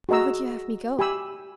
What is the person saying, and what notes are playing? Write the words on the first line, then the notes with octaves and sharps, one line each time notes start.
"Where would you have me go?"
F#4 G#4 D#5 A#5 E6
G4 G#5 B5 E6